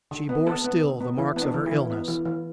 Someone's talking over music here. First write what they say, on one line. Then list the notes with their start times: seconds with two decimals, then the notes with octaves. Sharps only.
She bore still the marks of her illness.
0.11 D3
0.29 B3
0.47 B3 A4
0.65 B3
0.83 D3
1.01 B3
1.18 E3 E4
1.36 B3
1.42 D4
1.54 E3
1.66 E4
1.72 E3
1.90 B3
2.08 E3
2.25 E3